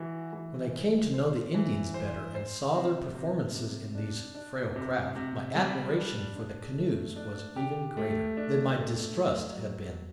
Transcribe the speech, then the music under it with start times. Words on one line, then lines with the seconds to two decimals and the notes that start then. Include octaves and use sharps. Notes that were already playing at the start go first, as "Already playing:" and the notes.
When I came to know the Indians better and saw their performances in these frail craft, my admiration for the canoes was even greater than my distrust had been.
Already playing: E3 F#4
0.33 E3
0.73 C5
1.14 C5
1.54 E3
1.94 C5
2.35 C5
2.74 C3
3.15 C3
3.55 C3
3.95 D4
4.35 D4
4.76 C3
5.16 C3
5.55 G3
5.96 D4
6.36 D4
6.76 A3
7.16 D4
7.56 G4
7.97 A3
8.37 D4
8.77 A3
9.16 F#3
9.57 F#3